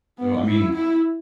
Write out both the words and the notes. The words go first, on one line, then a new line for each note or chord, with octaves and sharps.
So, I mean,
B3
E4
E4